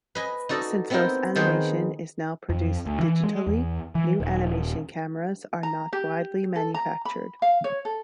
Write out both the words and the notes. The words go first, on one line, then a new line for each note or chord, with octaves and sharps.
Since most animation is now produced digitally, new animation cameras are not widely manufactured.
B4 D#5 G#5
D#4 F#4 A4 D5 D#5
B3 C4 D#4 E4 A#4 G5
D#3 B3 D#4 G#4 C5 G5
F2
D2
E3
G#3
E2
E3
D#1
A#5
G4
A4
A#5
B5
F5
C#5
A4